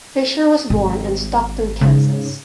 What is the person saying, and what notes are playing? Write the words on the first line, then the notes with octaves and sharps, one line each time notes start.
Fisher was born in Stockton, Kansas.
G#1
G#2 C#3